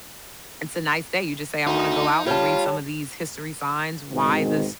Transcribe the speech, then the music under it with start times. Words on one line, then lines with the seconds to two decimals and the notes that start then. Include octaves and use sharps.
it's a nice day, you just say, "I wanna go out, and read some of these history signs, why this,
1.67 D2 D#4
2.27 G3 F4 C#5 A5
4.12 G#2 B2 D#3 G#3 C4